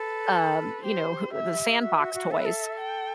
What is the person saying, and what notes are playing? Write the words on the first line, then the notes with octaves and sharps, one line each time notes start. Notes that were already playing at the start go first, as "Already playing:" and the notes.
um, you know, who the sandbox toys,
Already playing: A4 B4
G4 C5
E5
F#4 E5
F#4
F#4
A4 E5
B4
A4
G5